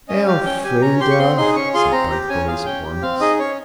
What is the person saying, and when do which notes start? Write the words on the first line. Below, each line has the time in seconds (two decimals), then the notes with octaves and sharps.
"Elfrida!" said both boys at once.
0.09 C#4 D#5
0.27 G4 F5
0.45 C#4 G5
0.64 G4 G#5
0.82 C#4 A#5
1.00 G4 C6
1.11 C#6
1.19 C4 C6
1.38 D#4 G#4 C6
1.56 C#4 C#6
1.74 F4 G#4 C6
1.92 C4 A#5
2.11 G4
2.29 C#4 G#5
2.47 F4 G#4 F5
2.65 C#4 G5
2.84 G4
3.02 C4 F5
3.20 D#4 G#4 D#5
3.39 C#4 C#5